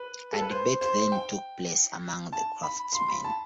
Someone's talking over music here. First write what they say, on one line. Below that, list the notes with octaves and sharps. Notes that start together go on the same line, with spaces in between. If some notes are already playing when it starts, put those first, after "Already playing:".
A debate then took place among the craftsmen.
Already playing: B4
A4
B4
C5
C5
G5
A5
B5
C6
B5
A5